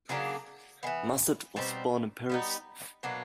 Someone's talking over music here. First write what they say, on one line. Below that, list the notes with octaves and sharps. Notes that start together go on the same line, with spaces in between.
Musset was born in Paris.
C#3 F#3 A#3 D4
E3 G#3 B3
B2 G3 C4 D#4
G3 B3 D#4
B2 F#3 A#3 D4